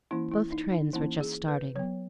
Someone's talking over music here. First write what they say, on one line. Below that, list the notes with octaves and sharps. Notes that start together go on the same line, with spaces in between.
Both trains were just starting.
E3 A#3 C#4 E4
E4
D#4
D#4
E3 A#3 C#4 E4
G#4
B4
F#3 B3 C#5